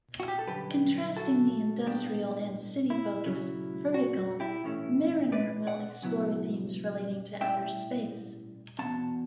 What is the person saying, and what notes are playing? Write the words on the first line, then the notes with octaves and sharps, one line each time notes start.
Contrasting the industrial- and city-focused "Vertikal", "Mariner" will explore themes relating to outer space.
F#4
G4
A4
F#2 D3 G3 G4 B4
F#4 A4
A2 G3 B3 D4
E4
C#3 F#3 C#4
F#4
F#4
E4 G4
A2 E3 A3 C#4 E4
B4 D5
D5 F#5
C#3 F#3 B3 E4
A2 G3 C#4 E5 G5
E2 B2 A3 C#4 F#5 A5